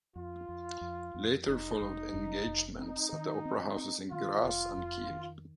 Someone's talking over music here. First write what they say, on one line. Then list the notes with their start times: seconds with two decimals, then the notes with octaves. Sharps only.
Later followed engagements at the opera houses in Graz and Kiel.
0.16 F2 F4
0.49 F2
0.81 F2
1.14 F2
1.48 F1 D#4
1.80 F1
2.14 F1
2.46 F1
2.79 C4 D#4
3.13 D#3
3.45 C4
3.78 C4
4.11 D#3 F4
4.44 F1
4.77 F2
5.10 D#3